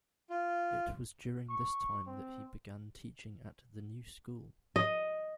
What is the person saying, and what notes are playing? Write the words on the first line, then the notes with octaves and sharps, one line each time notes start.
It was during this time that he began teaching at The New School.
F4
C#6
C4
D#5